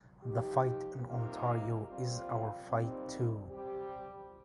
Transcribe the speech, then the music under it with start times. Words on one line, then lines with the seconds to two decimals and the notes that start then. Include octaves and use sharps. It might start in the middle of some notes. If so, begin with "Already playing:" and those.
The fight in Ontario is our fight too.
0.24 F3 D#4 G4
1.05 C3 D#3 A#3 F4
1.87 A#2 G3 C4 F4
2.67 A#2 G3 C4 D#4 G4
3.49 G3 C4 G4